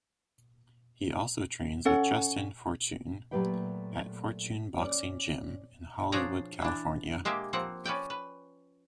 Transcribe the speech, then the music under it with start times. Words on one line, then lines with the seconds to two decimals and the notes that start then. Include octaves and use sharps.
He also trains with Justin Fortune at Fortune Boxing Gym in Hollywood California.
1.85 C#4 A4 F#5
3.31 A#2 F#3 A3 G4 B4 G5
4.77 C#4 D5
6.12 F3 D4 G#4 C#5 F#5 A#5
6.62 E3 D4
7.25 G#3 A#3 G4 E5
7.53 F3 A#3 C4 F#5
7.85 C#4 B4 D5 G5
8.10 B4